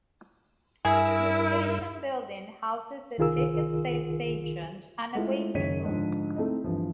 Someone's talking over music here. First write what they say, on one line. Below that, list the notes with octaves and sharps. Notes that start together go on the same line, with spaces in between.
The station building houses a ticket sales agent and a waiting room.
G2 E4 G#4 A#4 E6
C2 D#3 F4 G#4 A#4 E6
G#3 A3 E4 F4
F#1 F#2 D#3 C#5 B6 D#7
G#2 D3 F3
A3 C4 D#4 E4 D#5
G1 E3 F3